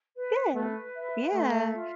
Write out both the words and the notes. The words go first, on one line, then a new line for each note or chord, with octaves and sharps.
Good. Yeah,
B4
A3 B4
E5
A3 E5
F4